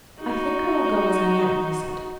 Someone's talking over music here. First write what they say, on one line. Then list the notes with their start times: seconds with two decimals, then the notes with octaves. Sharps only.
"I think I will go as I am," he said.
0.20 D#4 F#4